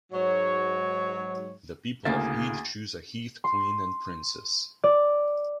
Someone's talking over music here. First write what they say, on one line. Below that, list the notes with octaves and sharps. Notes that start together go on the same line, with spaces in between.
The people of Ede choose a heath queen and princess.
G#2 F#3 C#5
D2 A2 C#3 A#3 G#4 E5 A6
C6
D5